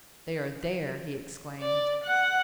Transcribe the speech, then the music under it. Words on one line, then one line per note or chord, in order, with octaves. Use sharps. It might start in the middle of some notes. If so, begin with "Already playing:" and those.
"They are there!" he exclaimed.
D5
F#5